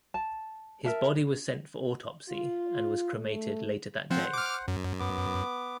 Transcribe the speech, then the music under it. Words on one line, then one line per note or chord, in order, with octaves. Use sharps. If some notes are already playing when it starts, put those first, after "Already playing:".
His body was sent for autopsy and was cremated later that day.
A5
A#4 E5 A5
F4
A3
F3 C4 C5 F#5
D6 F6
F#2
B3 D6